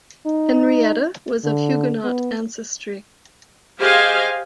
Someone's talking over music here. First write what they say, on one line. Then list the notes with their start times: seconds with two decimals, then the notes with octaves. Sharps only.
Henrietta was of Huguenot ancestry.
0.26 D#4
1.44 D3
2.04 B3
3.79 G4 G#4 C5 D#5 F5 G#5